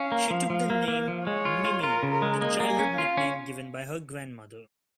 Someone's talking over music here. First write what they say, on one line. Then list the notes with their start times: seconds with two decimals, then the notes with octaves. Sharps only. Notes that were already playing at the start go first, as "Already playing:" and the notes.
She took the name "Mimi", the childhood nickname given by her grandmother.
Already playing: C#4 F5
0.12 A#3
0.31 F3
0.50 F3
0.70 A#3
0.88 A#3
1.08 F3
1.26 G#3 C#5
1.45 F4
1.65 F4
1.83 F4 A#4
2.03 C#3
2.12 A#4
2.22 G#3
2.41 A#3 D#5
2.60 A#3
2.69 G#5
2.79 C#4
2.97 F4 F5
3.17 C#4